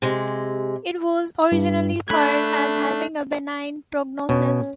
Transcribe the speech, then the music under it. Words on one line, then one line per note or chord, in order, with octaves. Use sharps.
It was originally thought of as having a benign prognosis.
C3 G#3
G2
A3 D4 B5 F#6 G#6
B2 C#4 C#5